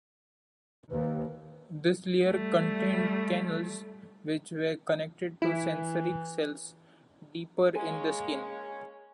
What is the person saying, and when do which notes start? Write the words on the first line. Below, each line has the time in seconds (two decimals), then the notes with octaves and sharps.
This layer contained canals which were connected to sensory cells deeper in the skin.
0.91 D#2 B4
2.27 G3 A3
5.42 E3 E4
7.76 G#3 A#3 C#5 G#5